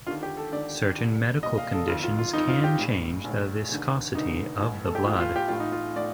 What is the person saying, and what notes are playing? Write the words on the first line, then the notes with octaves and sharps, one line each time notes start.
Certain medical conditions can change the viscosity of the blood.
D#2 D3 F4
G4
A4
D#2 D3 D5
C2 A#2
C2 A#2 D#5
F5
A4
G1 F2 D#3 F4
F4
F4
G1 F2 D#3 D#4
F4
G4
A#1 A2
A#1 A2
F1 D#2 D3
F1 D#2 D3 D#4
A1 A2
A4
G4
A1 A2 F4
F4
G4
A1 A2 F4
D#4
F4
A2 D5